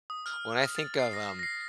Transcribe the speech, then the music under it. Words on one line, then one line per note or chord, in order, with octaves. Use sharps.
when I think of, um,
D#6
F6
D#6
F6
A6
C7
A#6
C7
A#6
C7